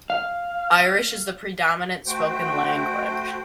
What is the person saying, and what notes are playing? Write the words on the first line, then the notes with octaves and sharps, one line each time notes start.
Irish is the predominant spoken language.
F5
A3 F#4 C5 G5